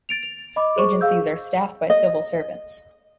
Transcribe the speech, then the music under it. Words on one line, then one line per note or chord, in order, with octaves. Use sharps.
Agencies are staffed by civil servants.
A6 D7 F7
F7
D#5 B5 D6
G#4 C5 C#6
G#4 F5 E6 G6
D#5